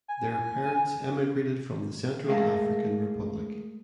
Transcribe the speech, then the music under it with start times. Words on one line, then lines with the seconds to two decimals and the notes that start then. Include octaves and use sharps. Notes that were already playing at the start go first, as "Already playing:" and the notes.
Their parents emigrated from the Central African Republic.
0.08 G#5
2.27 G#3 A3 G#4 A#4 F5